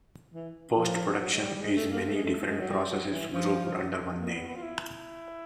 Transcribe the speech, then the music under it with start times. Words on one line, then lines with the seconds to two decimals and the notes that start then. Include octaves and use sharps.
Post-production is many different processes grouped under one name.
0.34 E3
0.76 F3
1.19 F#3
1.33 G#3
1.40 G3
1.55 G3
1.61 G#3
1.76 A3
1.90 A#3
2.05 A3
2.15 G#3
2.25 A3
2.47 G#3
2.60 F#3
2.69 G3
2.90 F#3
3.12 E3
3.33 F3
3.65 F3
3.76 F#3
4.19 A#3
4.33 B3
4.47 B3
4.56 F4
4.62 E4